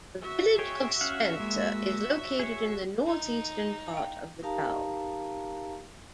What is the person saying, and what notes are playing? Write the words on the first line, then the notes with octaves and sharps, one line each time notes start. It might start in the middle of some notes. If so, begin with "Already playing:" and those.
The village of Spencer is located in the northeastern part of the town.
F#4 E5
G#4 C#5 G5
C#4 F5 F#5
G#3 A#3
G#4 C#5
D#4
F5 G5
D#4 G4 A#4 F5 A5 A#5